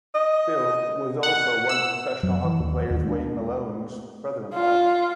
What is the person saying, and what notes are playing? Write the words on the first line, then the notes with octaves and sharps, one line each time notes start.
Bill was also once professional hockey player Wayne Muloin's brother-in-law.
D#5
F#5
E6
F#2 F#3
E3
D#2
D1 D#2
G#3 D4
F4